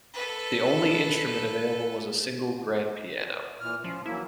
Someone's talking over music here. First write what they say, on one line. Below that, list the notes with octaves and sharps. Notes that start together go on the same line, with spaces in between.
The only instrument available was a single grand piano.
A4 B4
A#2 E3 F6
F3 C#4
E3 F#3 A#3 E4